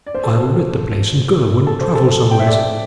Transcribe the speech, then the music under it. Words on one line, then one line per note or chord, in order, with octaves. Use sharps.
I'll let the place, and go and travel somewheres.
D5
C5
A4
C5
A4
C5
A4
G5
E5
D5